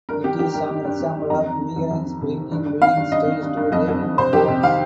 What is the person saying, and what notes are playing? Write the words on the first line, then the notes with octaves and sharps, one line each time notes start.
It is an example of immigrants bringing building styles to their new homes.
G2 A#4
D#3 G4
D#3 G4
G2 A#4
G2
G2
D#3
G2
F2 A#5
D#3
D#3
F2
F2
D#3
C3
D#3
G2
G2
D#3 F5
G2
G2 D#5
D#3
G2
G2
F2 D#5
F2
F2
C3 C5
F2 G4
C3
D#3 F5